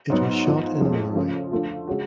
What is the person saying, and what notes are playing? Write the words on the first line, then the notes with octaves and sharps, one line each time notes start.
It was shot in Norway.
G#2 F#3 B3
G#2 F3 B3
F2 F3 G#3 C#4
C#3 F3 A3 C#4 F4
D3 F3 A3 F4
C#3 G#3 C#4 F#4